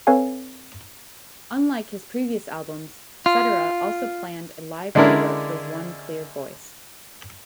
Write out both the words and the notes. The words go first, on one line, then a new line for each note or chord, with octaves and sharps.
Unlike his previous albums, Cetera also planned a live tour for "One Clear Voice".
C4 A4 B4 C#5 F5 G#5
F4
D3 G#3 C#4 D4 E4 A#4